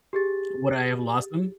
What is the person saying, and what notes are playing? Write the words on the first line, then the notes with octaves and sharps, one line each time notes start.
Would I have lost them?
G4 G#4 A6